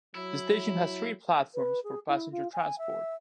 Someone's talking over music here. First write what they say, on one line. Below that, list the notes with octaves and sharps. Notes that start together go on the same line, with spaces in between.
The station has three platforms for passenger transport.
F#3 E4
B4
G#4
E4
F4
G#5
E5